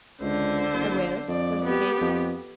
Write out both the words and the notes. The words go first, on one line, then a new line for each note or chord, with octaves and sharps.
"I will," says the king.
C#2 D3 C5
F#1
F2 D5
B3 G4
F2